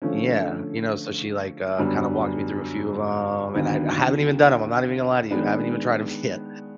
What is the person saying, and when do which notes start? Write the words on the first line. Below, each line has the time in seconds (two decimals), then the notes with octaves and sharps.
Yeah, you know? So, she, like, uh, kinda walked me through a few of 'em, and I I haven't even done 'em, I'm not even gonna lie to you, I haven't even tried 'em yet.
0.02 D3 F3 A3 C#4
1.79 F#2 D3 G3 B3 D4
3.54 D#2 D3 F#3 B3 D#4
5.31 D#3 G#3 B3 D4